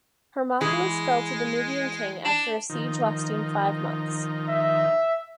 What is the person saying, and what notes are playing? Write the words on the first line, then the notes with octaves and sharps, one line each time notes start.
Hermopolis fell to the Nubian king after a siege lasting five months.
E3 G#3 G#4
D4
D#3 F3 D#4
E5